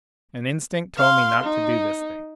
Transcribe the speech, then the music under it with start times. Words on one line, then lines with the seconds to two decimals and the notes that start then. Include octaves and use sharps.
An instinct told me not to do this thing.
0.97 F5 C6
1.44 D#4